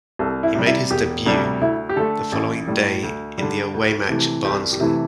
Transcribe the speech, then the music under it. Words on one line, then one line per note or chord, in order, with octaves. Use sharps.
He made his debut the following day in the away match at Barnsley.
C2 A4
E4
C3 G3
E4
E1 G4
D2 C3 G3 D4
D2 E4
G4
D3 A3 A4
A1
A2 G3
D2
D3 G3
D2
C3 E3 A3
C2 G4
G4
C3 E3 A3 E4